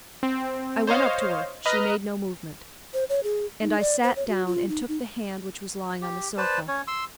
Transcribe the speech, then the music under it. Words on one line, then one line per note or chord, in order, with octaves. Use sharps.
I went up to her; she made no movement, and I sat down and took the hand which was lying on the sofa.
C4
C5 C#5 D#5 F5
B4 D#5 A#5 F6
C5
C#5
G#4
D#4
D5
C5
C#5
F#4
F4
D#4
D#4
G4
B4 C5 D5 A5
C#4 C#5
C6 E6